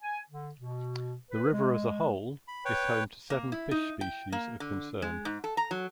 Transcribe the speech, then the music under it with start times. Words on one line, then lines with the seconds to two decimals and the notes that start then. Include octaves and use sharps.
The river as a whole is home to seven fish species of concern.
0.03 G#5
0.28 D3
0.58 B2
1.31 B4
1.52 G#3
2.48 B5
2.65 B4 C#5 G5
3.30 A#3
3.52 E4
3.71 D#4
4.01 G5
4.32 A#3
4.60 D3
5.02 G#3
5.25 G#2
5.44 A4
5.57 A#5
5.71 F#3